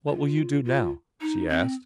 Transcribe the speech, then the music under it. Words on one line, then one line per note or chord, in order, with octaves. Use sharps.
"What will you do now?" she asked.
F4
F4
D#4
C4